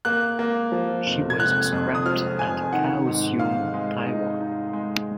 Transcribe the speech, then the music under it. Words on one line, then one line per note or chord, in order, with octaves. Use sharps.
She was scrapped at Kaohsiung, Taiwan.
A#3 F#6
A#3
F3
F1
G#6
F1 F#6
F2
D#6
F3 F6
F1 G#5
D#3 F#5
G#2
G#2 F5
G#3
D#4
D#4
G#3